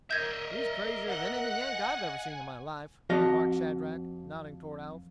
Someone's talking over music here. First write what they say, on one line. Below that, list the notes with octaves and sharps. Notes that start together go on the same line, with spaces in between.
"He's crazier than any Yank I've ever seen in my life," remarked Shadrack, nodding toward Alf.
A#4 D#5 E5 G6 G#6 A#6
F#5
G#5
F2 F3 F#4 D#5 F5